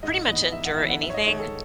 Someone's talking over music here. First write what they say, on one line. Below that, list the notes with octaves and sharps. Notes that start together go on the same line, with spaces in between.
pretty much endure anything
G#2 D#5
E3 B3 D#5
G#2 E5
F#5
E3 B3 E5
F#5
G#2 E5
C#5
D#5
D#3 G#3 C#5
A4